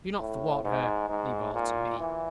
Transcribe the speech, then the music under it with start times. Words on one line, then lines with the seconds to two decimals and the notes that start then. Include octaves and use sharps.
Do not thwart her; leave all to me.
0.20 A2
0.65 G#2
1.10 G#2
1.55 A#2
2.00 E3